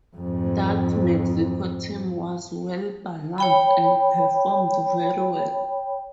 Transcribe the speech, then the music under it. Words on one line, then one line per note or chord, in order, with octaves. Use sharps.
That Mexico team was well balanced, and performed very well.
F2 G#2
C#5 G5 B5